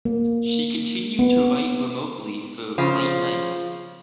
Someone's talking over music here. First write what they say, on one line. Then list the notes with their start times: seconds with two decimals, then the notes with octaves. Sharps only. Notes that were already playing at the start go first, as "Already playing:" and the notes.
She continued to write remotely for "Late Night".
0.05 A#3
1.19 B3
2.78 C#3 F3